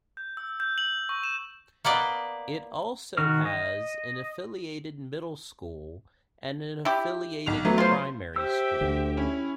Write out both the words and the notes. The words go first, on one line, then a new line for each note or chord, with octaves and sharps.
It also has an affiliated middle school and an affiliated primary school.
G6
E6
G6
F#7
C#6
E7
A#3 B3 D5 D#5
D#3 F#4 F6
D#5
E4 G4
B1 F7
F#3 A3 B3
F4 C5
G4 C5 E5 E6
D2 D3
C#4 E4